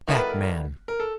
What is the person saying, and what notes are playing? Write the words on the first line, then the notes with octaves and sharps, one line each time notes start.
"Back, man!"
D#3 G3 B3 E4 A4 A#4
B4
A#4
A#4
A4